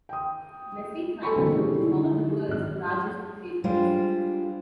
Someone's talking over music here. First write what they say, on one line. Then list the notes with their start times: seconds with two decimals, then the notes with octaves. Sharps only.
Messe Frankfurt is one of the world's largest trade fairs.
0.09 G5 D#6
1.23 A4 G#5 B5 C#6
1.36 B2 D3 E3 F#3 A#3 C4
1.52 G3 A3 C#4 E4 G#4
1.81 D3 D#4 E4
2.48 G#1 F#6
3.64 G3 G#3 D4 F4 C5